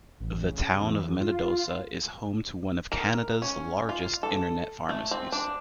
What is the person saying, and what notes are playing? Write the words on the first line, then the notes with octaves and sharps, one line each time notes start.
The town of Minnedosa is home to one of Canada's largest internet pharmacies.
A1
C#3
E2
F4
A#4
C#4
F4
A4
A3
C4
D4